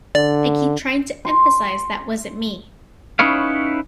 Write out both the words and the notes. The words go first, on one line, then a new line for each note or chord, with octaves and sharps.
I keep trying to emphasize that wasn't me.
D3 D5
C6
C#4 D#4 E4 B4 C#5 F5